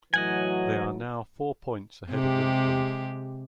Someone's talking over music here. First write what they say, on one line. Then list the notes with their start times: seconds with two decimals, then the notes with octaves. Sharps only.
They are now four points ahead of Liverpool.
0.14 A2 E3 F#3 D#5 F#5 G#5
2.12 C3 G#3 G4